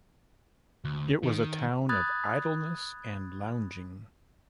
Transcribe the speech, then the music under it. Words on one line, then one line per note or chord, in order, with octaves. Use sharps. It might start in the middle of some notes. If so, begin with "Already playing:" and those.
It was a town of idleness and lounging.
D2
D#3
B5 D#6 F#6 G#6 A6